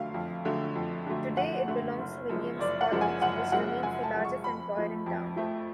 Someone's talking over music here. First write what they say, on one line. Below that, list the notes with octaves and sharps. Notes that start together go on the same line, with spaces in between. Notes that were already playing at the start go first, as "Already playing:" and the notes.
Today, it belongs to Williams College, which remains the largest employer in town.
Already playing: F2 D3 F#3 A3 F5
F2
D3 F#3 A3
F2
D3 F#3 A3
F2 F#5
D3 F#3 A3
F#1
F#2 F3 G#3
F#1 D5
F#5
F#2 F3 G#3
G#5
F#1 F#5
F#2 F3 G#3 F#5
F#1 G#5
A5
F#2 F3 G#3
C#6
F2 B5
F3 A3
F2
F3 A3